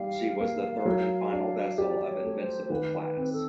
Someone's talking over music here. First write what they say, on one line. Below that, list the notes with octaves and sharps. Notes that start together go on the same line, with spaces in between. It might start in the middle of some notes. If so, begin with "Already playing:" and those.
She was the third and final vessel of "Invincible"-class.
Already playing: G3 D#4 F5
A#3
F#3
D4
G4 D5
C#5
A3
C5
C5
D#3 B4
B4
C4
A4